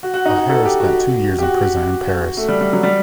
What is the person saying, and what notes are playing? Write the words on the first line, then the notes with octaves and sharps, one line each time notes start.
O'Hara spent two years in prison in Paris.
F#4
F#4
D#4
F#4
A4
G4
F#4
G4
F#4
A3
G3
G3
F#3
G3